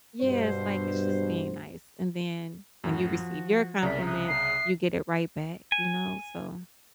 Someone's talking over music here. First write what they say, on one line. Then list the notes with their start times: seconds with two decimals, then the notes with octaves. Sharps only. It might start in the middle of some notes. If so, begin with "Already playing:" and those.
yeah, it's like it's just being nice. And then, when you receive your compliments, you get it right back, you know? So
0.22 G2 B2 C5
2.84 F#2 A2 F#4
3.19 F3
3.82 C2 C#3 A#4 D5 E5 A#5
4.05 E5 D#6 F#6
4.28 C7
5.72 G#5